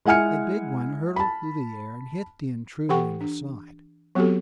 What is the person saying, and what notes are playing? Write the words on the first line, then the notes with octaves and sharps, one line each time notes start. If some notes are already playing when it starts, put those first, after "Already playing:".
A big one hurtled through the air and hit the intruder in the side.
G#3 E4 F#5 G#5 F6 C#7
A5 B5
E3 G4 A4 F#5 G5 C#6
D4
F#3 B3 C4 F#4 G4 A4